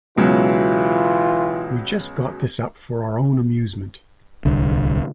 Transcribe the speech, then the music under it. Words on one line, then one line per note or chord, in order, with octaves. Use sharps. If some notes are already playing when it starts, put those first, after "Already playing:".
We just got this up for our own amusement.
C#2 B2 E3 F#3 F4
D1 C2 D3